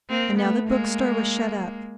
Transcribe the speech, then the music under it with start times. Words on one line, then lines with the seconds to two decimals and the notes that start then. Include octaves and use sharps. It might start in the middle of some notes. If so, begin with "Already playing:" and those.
And now the bookstore was shut up.
0.09 A#3 C4
0.38 A3 B3
0.68 G#3 A#3